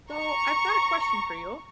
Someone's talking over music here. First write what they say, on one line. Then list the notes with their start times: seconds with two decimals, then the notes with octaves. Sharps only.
So, I've got a question for you.
0.10 A#5 C#6